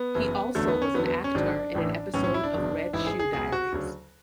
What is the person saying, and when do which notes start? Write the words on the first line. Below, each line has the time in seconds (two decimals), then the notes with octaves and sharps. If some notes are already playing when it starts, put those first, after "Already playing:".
He also was an actor in an episode of "Red Shoe Diaries".
Already playing: B3
0.15 F#1 F#2 E3
0.55 F#1 E2 D3 F#3 A3
0.68 B3
0.82 C#4
0.94 E2 D3 F#3 B3
1.05 B3
1.24 C#4
1.35 G#1 G#2 F#3 D4
1.74 A1 A2 E3
2.14 B1 A2 E3 C#4
2.24 C#4
2.34 E4
2.44 D4
2.53 F#1 E2 B2
2.93 A1 G#2 E3 E4
3.06 G#4
3.19 G#4
3.33 C#2 B2 F#3 G#4
3.52 F#4
3.72 D2 C#3 F#3